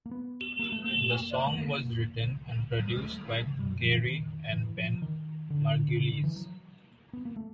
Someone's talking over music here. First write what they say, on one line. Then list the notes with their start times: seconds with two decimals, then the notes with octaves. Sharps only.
The song was written and produced by Carey and Ben Margulies.
0.06 A#3
0.11 B3
0.59 A#3
0.72 A3
0.84 A#3
0.97 A3
1.09 A#3
1.47 A3
1.58 A#3
2.79 F#3
2.88 G3
2.97 G#3
3.06 A3
3.59 G3
3.71 F#3
3.82 F3
3.93 E3
4.04 D#3
4.53 E3
4.78 F3
5.02 D#3
5.50 D3
5.88 C3
6.00 C#3
6.12 D3
6.24 E3
6.36 F#3
7.13 B3
7.25 A#3
7.36 A3